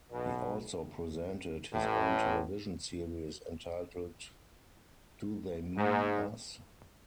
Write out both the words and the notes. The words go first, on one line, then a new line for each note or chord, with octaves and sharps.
He also presented his own television series entitled Do They Mean Us?
B1 B2
A1 A2
G#2